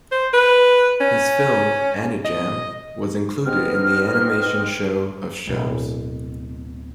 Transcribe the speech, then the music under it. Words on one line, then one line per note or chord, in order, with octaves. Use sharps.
His film "Anijam" was included in the Animation Show of Shows.
C5
B4
C#4
D#5
B3 C4 D#4 B4 D#5 F6
D1 B2